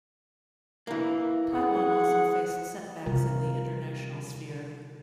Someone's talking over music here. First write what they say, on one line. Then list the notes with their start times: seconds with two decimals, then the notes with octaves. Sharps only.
Taiwan also faced setbacks in the international sphere.
0.87 E3 A#3
1.52 G#4 F#5
3.06 C3 G3 F4 A#4